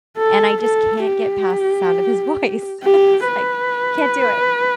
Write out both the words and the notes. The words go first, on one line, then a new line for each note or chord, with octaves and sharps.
and I just can't get past the sound of his voice." It's, like, can't do it.
A4
A4
G4
G4
B4